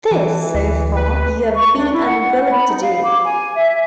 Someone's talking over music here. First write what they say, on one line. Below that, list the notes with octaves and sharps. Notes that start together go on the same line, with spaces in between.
This, so far, you have been unwilling to do.
E3
D2
B4
C#6
D4
E4
F#5
B5
D#4
F5
D6
G#5
E5